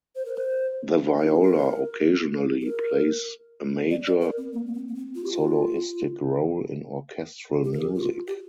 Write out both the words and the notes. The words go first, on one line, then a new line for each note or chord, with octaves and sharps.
The viola occasionally plays a major, soloistic role in orchestral music.
C5
A#4
C5
D4
F4
G4
A#4
G4
A#4
D5
D5
A#4
C4
A#3
A#3
C4
A#3
C4
F4
G4
F4
G4
A#4
G4
F4
G4